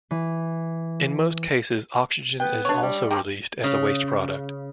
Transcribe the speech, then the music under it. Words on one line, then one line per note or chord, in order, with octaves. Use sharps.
In most cases, oxygen is also released as a waste product.
E3
B3 G5
D4 C#5
G3
D#3 F3 C#4 G4
C#3